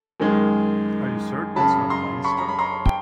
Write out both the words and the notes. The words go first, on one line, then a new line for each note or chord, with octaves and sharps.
Are you certain it's not a monster?
F#2 D#3 G#3
F#2 C#3 F#3 A5 B5
A#5 C6
B5 C#6
A#5
B5
A#5 C6
G5